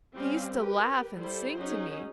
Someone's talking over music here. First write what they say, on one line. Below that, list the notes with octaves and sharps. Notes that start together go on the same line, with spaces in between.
He used to laugh and sing to me....
G3 C4 C#4 G4 F5
G4 A#4 B4
G3 E4 A4 C5
F#3 C#4 D#4 G#4